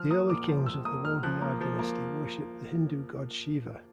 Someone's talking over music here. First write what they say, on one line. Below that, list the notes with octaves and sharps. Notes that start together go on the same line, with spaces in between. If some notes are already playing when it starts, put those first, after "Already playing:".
The early kings of the Wodeyar dynasty worshipped the Hindu god Shiva.
Already playing: F3 F6
A#3 D#6
A#2 D6
F3
F3 E6
A#3 D#6
A#3 F6
F3 F#6
A#3
F3
A#3